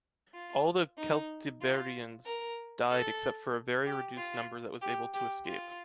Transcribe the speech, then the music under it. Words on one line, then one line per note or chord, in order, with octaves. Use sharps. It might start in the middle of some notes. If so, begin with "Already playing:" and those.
All the Celtiberians died except for a very reduced number that was able to escape.
F4
D#4
F4
A#4
A4
G4
F4
G4
G4
F4